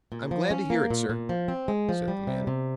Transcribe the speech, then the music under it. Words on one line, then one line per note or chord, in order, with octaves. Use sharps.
"I'm glad to hear it, sir," said the man.
A#2
F3
C#4
A#3
A#2
A#2
F3
C4
G#3
F3
G3
C3
C3